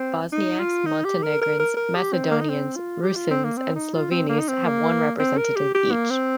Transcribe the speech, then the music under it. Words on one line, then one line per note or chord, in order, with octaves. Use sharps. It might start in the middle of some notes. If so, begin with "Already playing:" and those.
Bosniaks, Montenegrins, Macedonians, Rusyns and Slovenes have one representative each.
Already playing: C4
D#4
F4
D#4
G4
A#4
A#4
A#4
A#4
G4
C4
A#3
D#4
C4
F4
G4
F4
C4
A#3
C4
D#4
F4
C4
A#3
D#4
C4
A#3
C4
A#4
G4
G4
A#3
C4